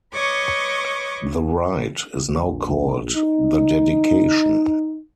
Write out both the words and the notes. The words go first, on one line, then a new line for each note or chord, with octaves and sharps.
The rite is now called the dedication.
B4 C#5 D#5 C#6 D6
A#1
D#4